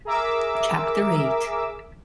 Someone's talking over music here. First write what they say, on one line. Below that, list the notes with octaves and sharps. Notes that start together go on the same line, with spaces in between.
Chapter eight.
G#4 A#4 E5 D6 E6